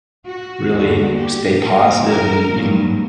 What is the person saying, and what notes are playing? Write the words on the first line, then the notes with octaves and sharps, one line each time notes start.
really stay positive and even,
F#4
E2 D3 A#3
G4
A#2 A#3 A#4
A#4
G2 F#3 A#3